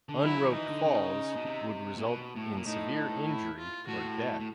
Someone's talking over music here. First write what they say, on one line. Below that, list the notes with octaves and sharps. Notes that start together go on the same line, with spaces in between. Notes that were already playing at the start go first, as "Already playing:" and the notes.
Un-roped falls would result in severe injury or death.
D3
F#3 E4
D#3
E3 D#4
D3
C#3
B2
C3
A#2
B2
A2
A#2
A2 D#4
D#4
E4
F4
A2 F#4
A2